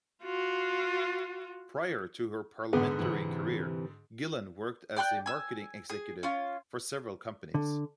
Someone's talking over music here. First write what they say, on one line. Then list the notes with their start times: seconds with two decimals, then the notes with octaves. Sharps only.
Prior to her parliamentary career, Gillan worked as a marketing executive for several companies.
0.23 F4 F#4
2.73 G#2 D3 B3 G#4 F#5
2.99 C3 E3
4.96 D5 G5 C6 F#6
5.26 G#5 E6
5.90 G#4
6.23 C#4 F4
7.54 D3